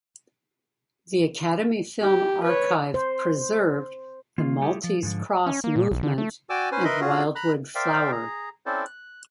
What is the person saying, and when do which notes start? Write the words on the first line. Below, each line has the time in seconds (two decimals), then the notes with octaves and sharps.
The Academy Film Archive preserved "The Maltese Cross Movement" and "Wildwood Flower".
2.02 G4
2.44 B4 C#5
2.94 C5
4.38 D#3 A#3 F4
4.61 G3 A3 G4 G#4
4.84 F3
5.03 G#2 D3 F3
5.46 C#4
5.64 A#3
5.76 A#2
5.91 B1
6.03 D3
6.18 A3
6.50 F#4 D5 G5 G#5 D6 E6
6.72 C#4 B4 C5 G#5
6.84 A#4 B4 D#5 E5 B5 C6
7.01 C#4 F4 F#4 G#4
7.36 A#5 B5 F#6
7.75 A#4 C5 D5 E5 F5 G5
8.12 G#4 A#5
8.66 C4 C#4 E4 A4 C5 D5
8.85 F#6